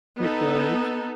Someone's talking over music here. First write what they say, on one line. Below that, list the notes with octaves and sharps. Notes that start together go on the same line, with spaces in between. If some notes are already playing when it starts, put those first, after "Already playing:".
My gosh.
B3 D#4 A4